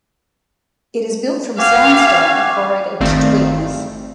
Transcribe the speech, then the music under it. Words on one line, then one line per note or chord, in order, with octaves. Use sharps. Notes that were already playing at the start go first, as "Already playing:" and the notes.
It is built from sandstone quarried at Tweedmouth.
F#4 G4 F5 G#5
G1 D#3 A3 C4 D5 F5